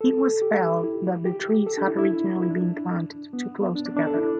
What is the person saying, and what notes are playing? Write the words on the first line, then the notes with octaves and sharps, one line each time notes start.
It was felt that the trees had originally been planted too close together.
A4
G4
E4
G4
A4
D4
E4
E4
E4
D4
B3
D4
D4
D4
A4
E4